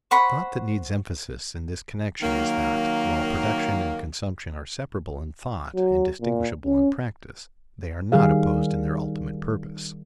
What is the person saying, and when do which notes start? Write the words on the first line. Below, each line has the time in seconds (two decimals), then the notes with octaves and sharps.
The thought that needs emphasis in this connection is that, while production and consumption are separable in thought and distinguishable in practice, they are not opposed in their ultimate purpose.
0.11 C5 F#5 B5 C#6
2.22 D#3 F#3 A#3
5.76 F#3
6.21 A#2
6.65 C#4
8.12 D#3 G3 G#4 F5